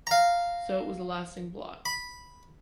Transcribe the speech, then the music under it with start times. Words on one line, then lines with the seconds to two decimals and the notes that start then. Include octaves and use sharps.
So it was a lasting blot.
0.07 F5 A#5
1.86 B5